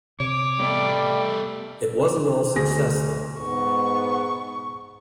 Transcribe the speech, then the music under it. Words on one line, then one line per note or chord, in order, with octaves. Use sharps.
It wasn't all success, though.
C3 C#5 D6
G3 A3 B3 A4
D2 G#4 A#6
G#2 B3 C#6